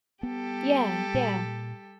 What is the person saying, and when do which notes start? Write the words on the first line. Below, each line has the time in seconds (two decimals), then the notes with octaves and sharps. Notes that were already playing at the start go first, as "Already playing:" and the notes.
Yeah, yeah.
0.23 G3 B3 G4 A4
1.14 A#2